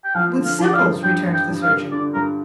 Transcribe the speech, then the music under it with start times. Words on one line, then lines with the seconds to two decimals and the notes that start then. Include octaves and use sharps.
"With simples," returned the surgeon.
0.04 G5
0.15 F3 F5
0.36 D3
0.44 F5
0.59 F3 D5
0.74 F5
0.82 G2
1.03 G2 G5
1.25 G2
1.33 G5
1.48 G2
1.62 F5
1.69 G2
1.91 D3 D5
2.13 G2 A#4